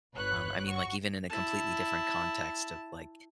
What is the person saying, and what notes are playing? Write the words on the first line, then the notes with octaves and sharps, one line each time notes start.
Um, I mean, like, even in a completely different context of, like
G1 B4 C#5 F#6
F#4 C#6
E4 A5